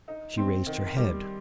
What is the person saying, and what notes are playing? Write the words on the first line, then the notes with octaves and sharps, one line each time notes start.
She raised her head.
D#4
C4
D#3
G3